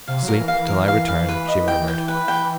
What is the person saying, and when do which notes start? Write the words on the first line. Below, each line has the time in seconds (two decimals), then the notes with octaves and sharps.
"Sleep till I return," she murmured.
0.08 C3 F5
0.23 F#3
0.28 A#4
0.38 E3
0.48 E3 F5
0.68 E3 A#4
0.88 F5
1.08 F5
1.29 B4
1.48 D#5
1.68 G5
1.88 G5
2.08 B4
2.28 G5